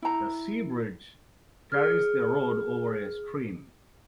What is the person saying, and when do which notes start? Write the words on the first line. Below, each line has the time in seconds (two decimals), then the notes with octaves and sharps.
The "Sea Bridge" carries the road over a stream.
0.02 E4 A#5
1.72 G#4 F6